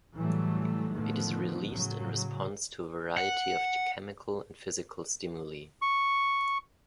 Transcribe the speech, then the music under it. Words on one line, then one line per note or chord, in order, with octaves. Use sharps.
It is released in response to a variety of chemical and physical stimuli.
A2 C#3 E3 F#3 G3 A3
A2 D3 D#3 F3 A3 B3
A2 C#3 F#3
F#5
C#6